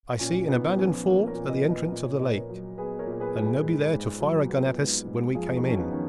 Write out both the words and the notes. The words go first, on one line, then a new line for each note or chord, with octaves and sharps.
I see an abandoned fort at the entrance of the lake, and nobody there to fire a gun at us when we came in.
A#2 C#4
A#2 B3 D#4
F3 C#4
A#3
A#4 C#5
A#2
B4 D#5
A#2
B4 D#5
A#2 D#5
C#5
A#2 B4 D#5
A#4 C#5
F#3
B3 G#4 B4
A#4 C#5
A#2
A#4
G#4 B4
A#2
G#4 B4
G#2
G#2
F#3
B3
G#2
G#2
F2 F4 G#4
D#4 F#4
F2
C#4
B3 D#4
D#3 C#4